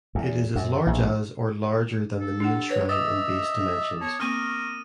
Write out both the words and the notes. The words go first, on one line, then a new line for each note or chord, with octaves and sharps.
It is as large as or larger than the main shrine in base dimensions.
E2
F#2
A#1
A4
D4 G4 F#5
B4 C#5
D#5 E5 D6 D#6 A6
B3 C#5 A5
A#3 C4 A#4 C#6 F6 D#7